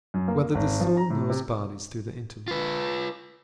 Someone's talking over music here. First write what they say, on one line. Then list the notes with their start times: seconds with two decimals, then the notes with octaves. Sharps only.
Whether the Soul Knows Bodies Through the Intellect?
0.14 F#2
0.28 A#3
0.55 G#1
0.81 F3
0.97 A#5
1.10 A2
1.30 C3
2.48 F4 B4